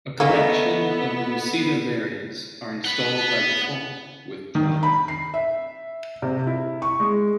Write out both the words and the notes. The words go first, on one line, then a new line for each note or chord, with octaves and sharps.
A collection of Lucida variants are installed by default with Java.
A#3 B3 C#4 A4 D#5 E5
B3 F#5
D#3
B5
C7
E5
C3
E4
C#6
G#3